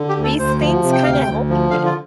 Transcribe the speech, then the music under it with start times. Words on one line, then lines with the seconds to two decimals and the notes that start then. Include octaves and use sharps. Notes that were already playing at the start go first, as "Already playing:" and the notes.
these things kinda help me.
Already playing: D3
0.09 G4
0.17 D2
0.23 A4
0.38 D2 C5
0.60 F3
0.83 C3
0.93 G5
1.03 D2 F5
1.12 G5
1.26 D2
1.49 F3
1.70 D3 F5
1.85 F4